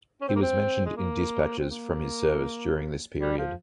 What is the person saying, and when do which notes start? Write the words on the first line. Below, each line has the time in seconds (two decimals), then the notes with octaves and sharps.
He was mentioned in despatches for his service during this period.
0.21 C#4
0.28 C4
0.36 A#3
0.42 C4
0.86 G#3
0.96 A#3
1.59 C4
1.70 A#3
3.19 G3
3.38 F3